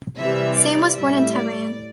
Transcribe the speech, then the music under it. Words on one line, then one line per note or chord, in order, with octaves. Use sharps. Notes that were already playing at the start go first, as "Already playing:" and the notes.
Sam was born in Tehran.
C3 E3 G3 E5
D5
A2 G3 E5
D5